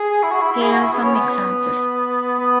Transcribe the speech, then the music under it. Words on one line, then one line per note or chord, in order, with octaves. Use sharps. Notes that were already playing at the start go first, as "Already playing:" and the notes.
Here are some examples.
Already playing: G#4
E4
F#4
E4
E4
G#4
F#4
E4
B3
C#4
B3
B3